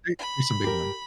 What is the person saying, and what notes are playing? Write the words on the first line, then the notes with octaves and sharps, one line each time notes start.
the is a big one.
B5
G4 A#4